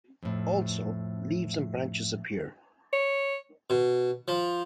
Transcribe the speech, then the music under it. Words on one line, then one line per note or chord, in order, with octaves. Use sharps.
Also, leaves and branches appear.
F2 A2
C#5
B2
F3